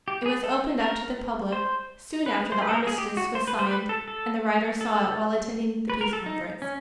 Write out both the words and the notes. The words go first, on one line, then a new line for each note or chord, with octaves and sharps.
It was opened up to the public soon after the armistice was signed and the writer saw it while attending the Peace Conference.
G4
G#4
A4
A#4
C5
B4
C5
B4
A4
A#4
G#4
G4
F#4
C5
B4
C5
B4
A4
A4
A4
B4
A#4
A4
D#4
C#4